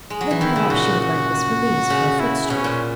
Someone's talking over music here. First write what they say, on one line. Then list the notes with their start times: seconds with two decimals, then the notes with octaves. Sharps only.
Then perhaps she would like this valise for a footstool?
0.10 G#3
0.21 F#3
0.31 E3
0.40 D#3 E4
0.56 C#3
0.70 A#2 F#4
1.00 F#4
1.90 C#3
2.20 E4
2.50 B2 C#4
2.64 A#2